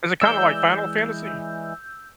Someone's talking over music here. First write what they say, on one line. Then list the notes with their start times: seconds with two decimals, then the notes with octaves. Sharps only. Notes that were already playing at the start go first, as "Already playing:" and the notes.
Is it kinda like Final Fantasy?
0.21 E3 G#3 D5 E6 G6